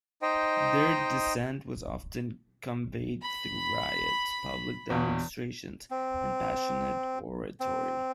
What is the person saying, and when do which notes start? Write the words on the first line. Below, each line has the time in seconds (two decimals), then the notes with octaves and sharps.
Their dissent was often conveyed through riots, public demonstrations, and passionate oratory.
0.22 D#4 C5 D#5 G5
3.22 B5
4.90 G1 E2 B2
5.91 C4
7.60 C4